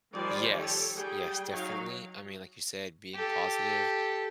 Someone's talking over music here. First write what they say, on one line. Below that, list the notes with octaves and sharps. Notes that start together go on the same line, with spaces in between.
Yes. Yes, definitely I mean, like you said, being positive,
D#3 F3 G3 C5 D5 G#5
G4 A4 C#5
G3 G#4 G5
F#3 D#4 F5
G4 A4